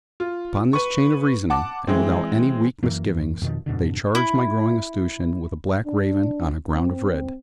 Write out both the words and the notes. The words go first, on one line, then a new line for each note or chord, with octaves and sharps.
Upon this chain of reasoning, and without any weak misgivings, they charged my growing escutcheon with a black raven on a ground of red.
F4
B4 C#6
F#5 A5 D6
E3 G#3 C4
F#2 E3 A#3
F2 B2 D#3 F3
F2 G#2 B2 D3
E4
D4
C4